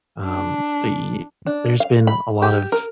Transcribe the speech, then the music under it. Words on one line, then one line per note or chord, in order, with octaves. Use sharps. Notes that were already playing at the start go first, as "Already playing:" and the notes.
um, eh, there's been a lot of,
D4
D4
F5
B5
G4
A#4